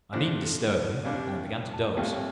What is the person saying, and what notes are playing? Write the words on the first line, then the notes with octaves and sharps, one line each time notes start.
I needn't disturb them; and I began to doze.
F2 C3 F3 D4 C5
A4
C5
C2 C3 G3 D4 F5
G5
A5
C2 C3 A3 F4 G5